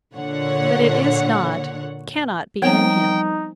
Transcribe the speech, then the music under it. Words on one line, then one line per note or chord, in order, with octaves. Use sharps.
But it is not, cannot be in him.
A#2 D3 C#5 F#5
F3 G3 B3 C4 D#4 C#5 G5